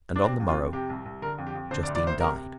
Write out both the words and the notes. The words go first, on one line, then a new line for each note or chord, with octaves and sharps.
And on the morrow Justine died.
D4
C3 C4
F2
F4
F2
C3 G4
C2
C2
D3 A#4
F2
G4
F2
D3 C5
D5
D2
D5
D2 C5
C3 A#4